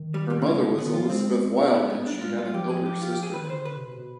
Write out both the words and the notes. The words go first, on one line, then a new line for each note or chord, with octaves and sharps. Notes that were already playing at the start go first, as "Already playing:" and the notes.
Her mother was Elizabeth Wild and she had an elder sister.
Already playing: D#3
G3
G3
C3 G3
D3 G#3
C3
D3
D#3 B3
F3 F4
G#3 C4
G#3
G#3
B3
G#3 B3
G#3 B3
G3 D4
G#3 F4
G3 F4
F3 G4
F3 G#4
G4
F4
G4
G#4
D#3 B4
B4
D3 C5
D3 B4
C3
B2
B2